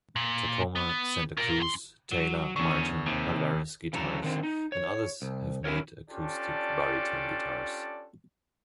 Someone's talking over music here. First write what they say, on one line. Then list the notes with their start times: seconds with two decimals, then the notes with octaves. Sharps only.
Tacoma, Santa Cruz, Taylor, Martin, Alvarez Guitars and others have made acoustic baritone guitars.
0.16 A#2
0.76 B3
1.37 F4 A#4
1.60 F#2 C6
2.11 F#3
2.56 E2 D3 C#4 C#6
3.06 D#2 C3
3.93 C#3 E3 F#3 A4 A#5
4.22 D3 D#3 C4
4.43 D#4
4.72 C#5
5.22 C2
5.64 C#4 E4 F4 G4 A#4 C#5
6.11 C#4 D4 F4 G4 A4 D5